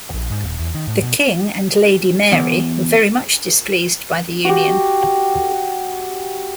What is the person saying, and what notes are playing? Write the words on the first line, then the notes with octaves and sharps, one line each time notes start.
The King and Lady Mary were very much displeased by the union.
A#1
G#2
D#1
E2
D#3
A2
B2
E2
F#4 G4